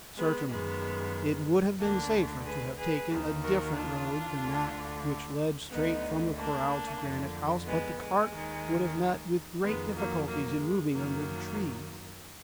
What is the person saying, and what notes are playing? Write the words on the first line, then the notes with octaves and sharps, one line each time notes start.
Certainly, it would have been safer to have taken a different road than that which led straight from the corral to Granite House, but the cart would have met with great difficulties in moving under the trees.
G#3 B3
F#2 D#3 G#3 B3
D2 D3 A#3 D4
G#4 B4
G#4 B4
D#2 D#3
F#4 A#4
D4 F4
D2 D3
D2 D3 B3 D#4
A#3 D4
F2 D3
G#3 B3
G#3
D#2 D#3
F2 D#3 G#3 B3
F#3 A#3
F#3 A#3
G#3
F#2 D#3 F#3 A#3